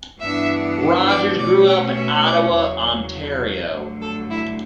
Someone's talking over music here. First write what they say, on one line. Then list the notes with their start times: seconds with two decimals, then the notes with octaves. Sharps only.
Rogers grew up in Ottawa, Ontario.
0.20 G2 E3 B3 D4 E5
1.08 D5
1.38 B2 A3 C#4 D5
1.66 G5
1.96 E5
2.25 D5
2.54 E2 C#3 F#3 C#5
3.71 G2 D3 F#3 A3
4.01 A4
4.29 E4